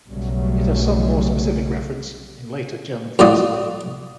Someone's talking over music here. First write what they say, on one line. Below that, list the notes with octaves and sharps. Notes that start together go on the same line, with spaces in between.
It has some more specific reference in later German philosophy.
B1 C#3 F#3 G3 A3
A2 F4 F#4 D5 D#6